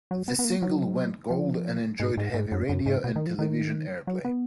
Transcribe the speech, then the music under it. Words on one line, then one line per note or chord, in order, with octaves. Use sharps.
The single went Gold and enjoyed heavy radio and television airplay.
F#3
B3
B3
A#3
F#3
F3
G#2
G#2
G#2
F#2
F#2
G#2
B2
D#3
F3
D#3
F#3
B3